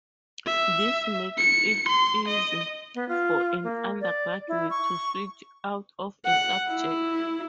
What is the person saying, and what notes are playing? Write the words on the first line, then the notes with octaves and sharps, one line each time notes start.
This makes it easy for an undergraduate to switch out of a subject.
E5
C#7
C6
D#5
B3
F4
A#3
D5
E4
C#6
F#5
E4